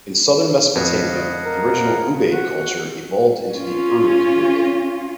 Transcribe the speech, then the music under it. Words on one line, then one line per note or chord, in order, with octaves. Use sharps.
In southern Mesopotamia, the original Ubaid culture evolved into the Uruk period.
F2 D#5 F5 F#5
A#4
F#4 F#5
C#4 F4